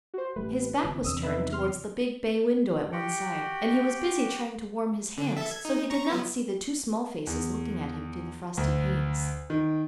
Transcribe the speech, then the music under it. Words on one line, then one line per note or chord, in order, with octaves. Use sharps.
His back was turned towards the big bay window at one side, and he was busy trying to warm his hands, so he did not see the two small faces looking at him through the frosty panes.
F#4 C5
A1 G3 A3 B4
G1 C3 E3
G1 E2 C3 D4 D#6 E6
D#4 B4 E5
C6 F6
F#4 G4 F#5 G5
D3
A4 E5
G#6
D#4
A#5 C#6
F#3 B3
E2
D2
D#3